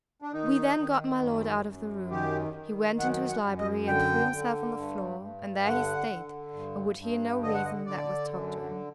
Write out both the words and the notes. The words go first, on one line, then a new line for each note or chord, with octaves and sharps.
'We then got my lord out of the room; he went into his library, and threw himself on the floor, and there he staid, and would hear no reason, that was talked to him.
D4
D#3 D#4
D#3
F#2
F#2
D#3 G4
D#3
F#2 F#5
F#5
F#2
D#5
D3 G5
D3
G2
G2
D3 F#5
D3
G2
G2
D3 D#5
F#5
D#5
D3 D5
F#2